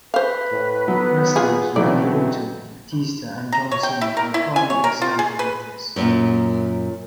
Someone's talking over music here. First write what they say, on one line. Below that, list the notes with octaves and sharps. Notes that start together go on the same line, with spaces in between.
Wrestlers Randy Orton, Batista, and John Cena are prime examples of this.
B4 C5 F5
A2
F#3 B3
F4 G#4
B2 E3 F#3 A3 C4 D5
A#5
C#5
G5
E4
A#4
E4
G#5
C#5
A#4
F4
G#4
B4
F#2 A#2